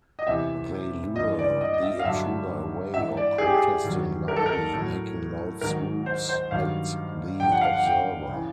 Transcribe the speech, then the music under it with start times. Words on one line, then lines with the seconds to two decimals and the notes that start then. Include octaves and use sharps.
They lure the intruder away or protesting loudly, making loud swoops at the observer.
0.19 D#5
0.27 E2 C3 E3 E5
1.16 G2 E3 D#5
1.39 D5
1.61 D#5
1.74 D#5
1.82 E5
1.99 F5
2.05 G2 D3 F#3 E5
2.94 G#2 E3 E5
3.17 D5
3.38 G#4
3.47 G4
3.54 G#4
3.84 G2 D#3 F#3
4.28 A#4
4.36 A4
4.46 A#4
4.73 A2 F#3
5.61 G#2 D#3 F#3 A#4
6.06 C5
6.29 C5
6.51 G2 D#3 F#3 F5
7.40 G2 D3 F3 G5
7.52 F#5
7.61 F5
7.73 F#5
7.86 G5
8.29 C#3 E3